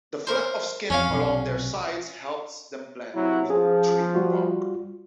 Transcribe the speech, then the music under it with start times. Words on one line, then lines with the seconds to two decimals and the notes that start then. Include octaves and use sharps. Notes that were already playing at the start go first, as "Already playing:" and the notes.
The flaps of skin along their sides help them blend with tree bark.
0.27 A#4 C5
0.90 F2 C#4 C#5 F5
1.09 B1 C3
3.14 C3 F#3 E4
3.49 F3 C#4 G#4
4.15 G3 F4 F#4